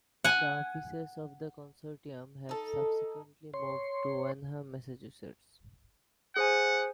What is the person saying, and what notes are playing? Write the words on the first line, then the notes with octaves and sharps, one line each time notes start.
The offices of the Consortium have subsequently moved to Wenham, Massachusetts.
F#5 G#5
D#4 A4
C#5 C6
G#4 C5 F#5 G#5